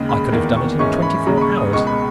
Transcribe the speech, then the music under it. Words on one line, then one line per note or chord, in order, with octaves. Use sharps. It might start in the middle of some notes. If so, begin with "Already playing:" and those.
I could have done it in twenty-four hours.
Already playing: D#2 C#3 G#3
B5
E2 D#3 A#3
C#6
G#2 E3 G#3 C#4 C#6
B5
D#2 C#3 G#3 A#5
B5
C#6
D#6
C#2 B2 G#3 C#6
B5